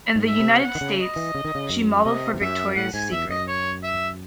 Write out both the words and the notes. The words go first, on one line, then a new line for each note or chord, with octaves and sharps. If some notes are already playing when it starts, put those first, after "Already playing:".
In the United States, she modeled for Victoria's Secret.
G#2
E5
C3
F#5
D#3
C#3
D#5
E3
C#3
D#3
C#3
F#2
C3 D#5
E2
F#2 E5
A2 F#5
G#2 G#5
E2 E5
F#2 D#5
C#5
E5